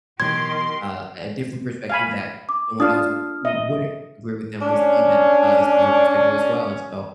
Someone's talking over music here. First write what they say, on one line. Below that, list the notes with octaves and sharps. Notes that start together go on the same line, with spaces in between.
uh, a different perspective that someone else who wouldn't agree with them would see them uh, see her perspective as well. And so,
B2 D#3 E3 F#3 G4 C6 G#6
F5 G#5 B5
D6
D4 F4 D#6 F6
D#5 E5
C#4 D4